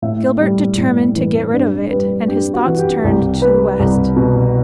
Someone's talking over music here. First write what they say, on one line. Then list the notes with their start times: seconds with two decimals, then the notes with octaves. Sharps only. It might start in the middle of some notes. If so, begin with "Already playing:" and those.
Gilbert determined to get rid of it, and his thoughts turned to the west.
0.02 A2 E5
0.41 G3
0.78 A2
1.16 E3
1.53 G2 D5
1.91 G3 B4
2.28 G2 G4
2.54 F#4
2.66 E3
2.79 G4
3.04 C2 G4
3.41 G3 B4
3.79 C2
4.16 B2